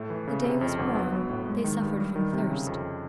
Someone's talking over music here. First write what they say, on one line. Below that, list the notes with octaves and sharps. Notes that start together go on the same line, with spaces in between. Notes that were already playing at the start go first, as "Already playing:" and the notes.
The day was warm; they suffered from thirst.
Already playing: A2 A3
E3
C#3
C3
F2
G1
B3
F#3
A2
G#3
D#3
G2
G3
D#3
C3
C#3
F2